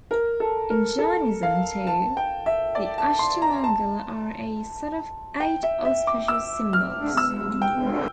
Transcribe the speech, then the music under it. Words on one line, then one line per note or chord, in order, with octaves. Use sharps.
In Jainism too, the Ashtamangala are a set of eight auspicious symbols.
A#4
A4
A#4
A4
F5
A5
G5
E5
D5
A5
C6
A#5
A5
G5
E5
E5
D6
E6
F6
E6
G5